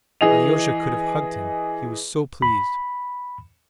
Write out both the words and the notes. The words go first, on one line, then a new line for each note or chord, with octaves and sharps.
Alyosha could have hugged him, he was so pleased.
E3 G#4 D#5 F7
B5